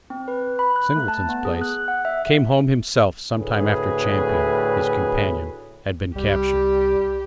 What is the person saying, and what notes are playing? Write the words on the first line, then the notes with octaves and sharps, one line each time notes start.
Singleton's place, came home himself sometime after Champion, his companion, had been captured.
C4
B4
B5
F#6
A3
A5
B3
G#4
F#6
F#5
E5
D2 A2 G#4 B4
C2 G3 G4